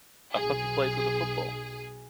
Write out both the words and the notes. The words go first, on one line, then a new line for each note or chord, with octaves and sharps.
A puppy plays with a football.
B1 G#4